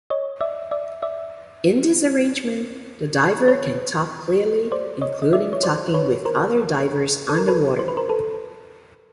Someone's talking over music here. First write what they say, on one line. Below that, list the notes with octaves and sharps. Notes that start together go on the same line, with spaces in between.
In this arrangement the diver can talk clearly, including talking with other divers underwater.
C#5 D#5
D5 E5
D5 E5
D5 E5
B4 C#5
C5 D5
C#5 D#5
D#5
D5 E5
C#5
C5 D5
B4 C#5
A#4 C5
A4
A#4
A4 B4
C5
B4
A#4 C5
A4 B4